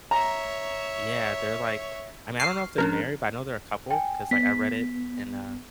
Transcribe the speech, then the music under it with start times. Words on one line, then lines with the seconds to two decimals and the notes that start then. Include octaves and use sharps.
Yeah, they're like I mean, I don't know if they're married, but I know they're a couple 'cause, like, I read it in a
0.11 C#5 E5 A#5
2.40 C#6 F6 C7
2.78 F3 C#4 D4 A#4
3.91 G5 G#5
4.31 B3 B6